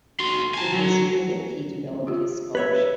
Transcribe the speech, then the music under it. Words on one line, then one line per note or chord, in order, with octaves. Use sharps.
It was here that he developed his scholarship.
F#4 C6
G#5 A5
F#3
F4 G4
B4 C#5 E5